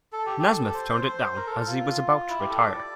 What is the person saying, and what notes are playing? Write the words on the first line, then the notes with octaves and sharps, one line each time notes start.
Nasmyth turned it down as he was about to retire.
A4
G4
A4
C5
C5
A#4
A4
F4
E4
G4
A4
D5